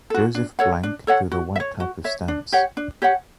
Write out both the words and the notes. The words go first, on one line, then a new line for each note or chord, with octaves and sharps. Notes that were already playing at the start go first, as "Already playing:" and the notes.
Joseph Blanc drew the White type of stamps.
F#4 A4
D4
A4 C#5 F#5
D4
A4 C#5 F#5
F#4
E5
C#5
F#4
C#5 E5
D4
G4 C#5 F#5
D4
G4 C#5 F#5